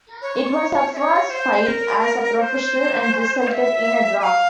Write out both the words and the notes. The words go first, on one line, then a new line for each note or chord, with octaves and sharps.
It was her first fight as a professional and resulted in a draw.
C#5
E5
C#5
C5
A#4
C#5
C5
F5
E5
G#5
F5